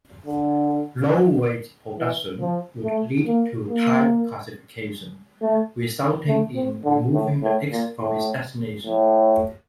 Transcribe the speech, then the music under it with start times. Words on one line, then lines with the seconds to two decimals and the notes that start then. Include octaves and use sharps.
Low-rate production would lead to type-classification, resulting in removing the "X" from its designation.
0.26 D3
1.98 E3
2.41 F3
2.84 A3
3.27 A#3
3.70 A#3
5.42 A3
6.28 A3
6.56 C4
6.85 D3
7.14 A2
7.43 A2
7.72 A#2
8.00 A2
8.86 A2